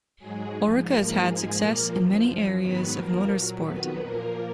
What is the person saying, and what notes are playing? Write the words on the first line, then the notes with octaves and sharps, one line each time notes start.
Oreca has had success in many areas of motorsport.
G#2 F#3 G#3 G#4
G#2 F3
G#2 F3 A#3 A#4
G#2 F3 G#3 G#4
A#2 F3 A#3 A#4
F#2 F3
F#2 F3
G#2 D#3 F#3 B3 B4
F2 F3 A#3 A#4
A#2 F#3
F2 D#3 F#3 B3 B4
A#2 F3 A#3 A#4